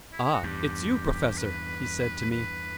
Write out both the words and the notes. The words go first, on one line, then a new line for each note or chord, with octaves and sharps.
"Ah, it's you, professor!" he said to me.
E4
E4
F#4
E2 G2 G4
B4
B4